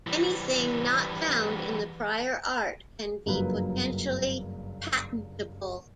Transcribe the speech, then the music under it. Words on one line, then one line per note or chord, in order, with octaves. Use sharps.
Anything not found in the prior art can be potentially patentable.
E3 G3
F#1 G2 F3 F#3 A#3 B4